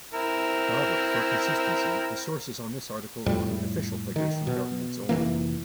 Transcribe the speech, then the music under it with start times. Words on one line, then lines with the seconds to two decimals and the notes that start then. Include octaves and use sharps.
However, for consistency, the sources on this article include official figures from governments only.
0.14 C4 E4 A#4
3.26 F2 A2 G3
4.16 D#3
4.47 B2
5.09 F1 F2 E3 A#3